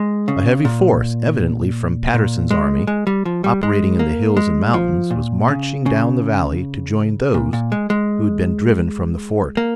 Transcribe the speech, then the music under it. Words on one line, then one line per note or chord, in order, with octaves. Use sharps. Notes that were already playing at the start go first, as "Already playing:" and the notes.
A heavy force, evidently from Patterson's army operating in the hills and mountains, was marching down the valley to join those who had been driven from the fort.
Already playing: G#3
C#3
A#2
A#2
G#3
G#3
G3
F3
G3
G#3
A#3
G#3
F3
A#2
C#3
C#3
A#2
A#2
G#3
G#3
A#3